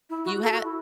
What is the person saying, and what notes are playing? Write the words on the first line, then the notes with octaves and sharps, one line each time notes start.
You ha
E4
F#4
A4
F#4
E4